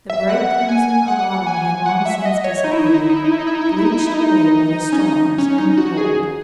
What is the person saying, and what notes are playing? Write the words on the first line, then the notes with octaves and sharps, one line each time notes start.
The bright crimson of autumn had long since disappeared, bleached away by the storms and the cold.
E5
F#5
G#5
F#5
G#5
F#5
E5
D#5
C#5
D#4
E4
D#4
E4
D#4
E4
D#4
E4
D#4
E4
D#4
E4
D#4
E4
D#4
E4
D#4
E4
D#4
E4
D#4
C#4
D#4
C#4
D#4
F#4
G#4